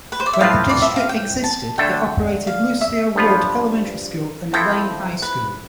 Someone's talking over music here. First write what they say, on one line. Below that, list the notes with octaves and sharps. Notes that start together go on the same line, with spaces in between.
When the district existed, it operated Lucilia Wood Elementary School and Elaine High School.
B4
C5
D5
E5
A2 F3 C4 F4 B4 F5
D5
E5
F5
G5
A5
D3 A3 D4 A4 G5
F5
E5
G2 F3 B3 F4 B4
F3 C4 E4 A4 G5
B4